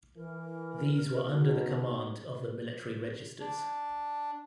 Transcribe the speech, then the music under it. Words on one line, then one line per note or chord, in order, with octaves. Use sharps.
These were under the command of the military registers.
E3 A#4
B2 D#4
D4